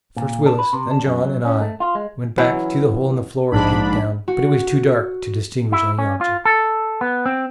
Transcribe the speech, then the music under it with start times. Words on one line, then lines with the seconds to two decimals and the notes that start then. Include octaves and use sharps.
First Willis, then John and I, went back to the hole in the floor and peeped down; but it was too dark to distinguish any object.
0.16 A#2
0.46 D4
0.59 B4
0.73 C3
0.91 D4
1.06 F#2
1.23 F#3
1.45 C#4
1.61 A3
1.80 F4
1.95 G#3
2.38 E3 F#3 C#4 E4
3.51 A#1 G#2 D4 B5
4.28 F#4
5.72 E4
5.99 C#4
6.21 F4
6.45 A4
7.01 B3
7.26 C4